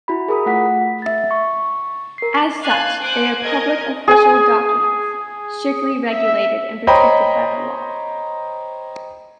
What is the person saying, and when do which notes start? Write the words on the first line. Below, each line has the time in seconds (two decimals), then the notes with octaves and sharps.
As such, they are Public Official documents, strictly regulated and protected by the law.
0.08 E4 F#4 B5
0.28 G#4 A#4 B5 D#6
0.46 A3 F4 F#5 B6
1.02 E5 A6
1.31 C#6
2.18 A#4 C7
2.61 F5 G#5 A5 F#6
3.02 C5 G#5 D6 F#6
3.42 A#4 D#5 G#6
4.08 G#4 G#5
6.11 E5
6.87 C5 C#5 D#5 G5 A#5 B5